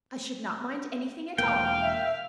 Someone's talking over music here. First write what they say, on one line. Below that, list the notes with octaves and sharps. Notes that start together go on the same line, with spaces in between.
"I should not mind anything at all."
E1 E2 A#3 F5 G5
E5